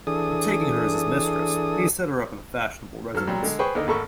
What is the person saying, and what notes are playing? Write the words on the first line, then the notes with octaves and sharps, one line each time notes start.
Taking her as his mistress, he set her up in a fashionable residence.
E3 D4 G#4 A4 D#6
F#3 A4 F6
A#2 F#3 G3 G4
D3 G#3
G#4 B4 C5 G5 C#6
D#2 D3 D#4
G#1 A3 A#3 A4 B5 C#6